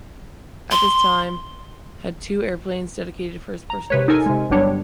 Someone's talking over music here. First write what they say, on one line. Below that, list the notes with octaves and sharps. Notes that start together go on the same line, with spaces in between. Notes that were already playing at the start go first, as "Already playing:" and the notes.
At this time had two airplanes dedicated for his personal use.
C6
A#5
C3 B4 C#5
D#4 A4 A#4 G#5
C3 G#3
G1 G2 F#3 G3 D4 C#5